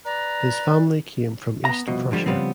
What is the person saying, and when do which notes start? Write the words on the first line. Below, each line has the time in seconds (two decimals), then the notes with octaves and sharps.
His family came from East Prussia.
0.05 B4 D5 A#5
1.65 B3 A#5
1.88 C2 F2 B2
2.11 G#2 D3 F3 G3
2.26 C#3 F3 G3 B3 C4